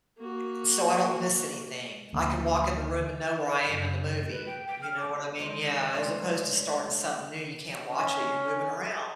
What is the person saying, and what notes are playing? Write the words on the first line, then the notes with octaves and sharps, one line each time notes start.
i so I don't miss anything. I can walk in the room and know where I am in the movie, you know what I mean? Yeah, as opposed to starting something new, you can't watch it, you're moving around.
A#3 F#4
D2 D3 A#3
F#2 C#3
B4
G5
G5
F6
D6
F2 D#3 G#3 C5
D2 D3 G#3 C5 C#5
C#4